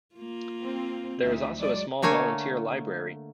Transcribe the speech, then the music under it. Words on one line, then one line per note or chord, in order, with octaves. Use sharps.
There is also a small volunteer library.
A#3 F4
C4
D2 D#4 E5
F#3 G#3 D5
D3 A3 A#3 C#5 G#5